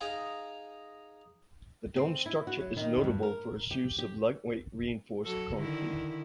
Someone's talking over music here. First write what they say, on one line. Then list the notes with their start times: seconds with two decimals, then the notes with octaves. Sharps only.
The domed structure is notable for its use of lightweight reinforced concrete.
0.01 D#4 G#4 D#5 F5 G5 A#5
1.96 C4
2.26 E4
2.47 F#4
2.61 F#3
2.77 D#3
3.04 G2
3.23 A#4
3.71 G4
3.98 G4
5.25 F#3 A4
5.55 D3 D#3 E4